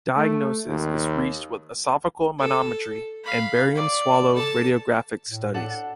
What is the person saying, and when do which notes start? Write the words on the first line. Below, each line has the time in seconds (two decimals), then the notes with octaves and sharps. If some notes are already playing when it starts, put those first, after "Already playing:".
Diagnosis is reached with esophageal manometry and barium swallow radiographic studies.
0.16 A3
0.67 D#2
2.39 A4
3.24 F5 B5
3.75 D5
4.35 A4 A5
5.28 A2
5.54 D4 A4 F#5